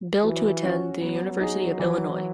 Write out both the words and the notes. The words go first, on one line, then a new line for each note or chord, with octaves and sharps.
Bill to attend the University of Illinois.
E3 F#3
C#4 F#4 C#5
F#3 B3
D#4 G#4
E3